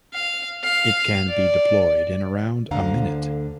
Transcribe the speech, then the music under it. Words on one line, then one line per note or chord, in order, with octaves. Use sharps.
It can be deployed in around a minute.
F5
F5
D5
D2 D3 F5 A#5